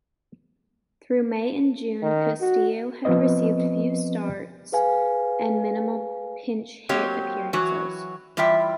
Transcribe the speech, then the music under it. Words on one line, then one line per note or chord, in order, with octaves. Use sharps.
Through May and June, Castillo had received few starts and minimal pinch hit appearances.
D#3
F#4
F3 B3 C4 B4 D#5
G#4 B4 F5 G#5
F#3 A#3 C4 G4 C#5 D#5
E3 F#3 F#4
E3 G3 F4 E5 G5